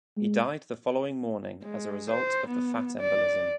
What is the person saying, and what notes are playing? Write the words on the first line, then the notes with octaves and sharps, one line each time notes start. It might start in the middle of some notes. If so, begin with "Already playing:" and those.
He died the following morning as a result of the fat embolism.
G#3
G#3
C5
B3
D5